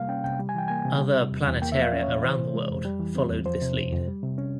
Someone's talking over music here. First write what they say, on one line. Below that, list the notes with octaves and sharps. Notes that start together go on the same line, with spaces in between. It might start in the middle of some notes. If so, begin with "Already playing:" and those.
Other planetaria around the world followed this lead.
Already playing: C3 G3 A#3 F5
C#4 G5
C3 G5
G3
G#5
E3 G5
A#3 G#5
C3
G3
C3
E2
E2
A#3 G5
F3 E5
F5
C#4
C#5
A#2
E3 C5
C3
G#3
F2
G3
E3
C4
E2
F3 C5
C3
F2
F2
G3
C3
C#4